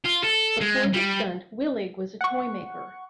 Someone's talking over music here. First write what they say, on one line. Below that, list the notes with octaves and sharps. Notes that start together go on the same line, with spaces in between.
Before the stunt, Willig was a toymaker.
F4
A4
G#3
G3
F#5 C#6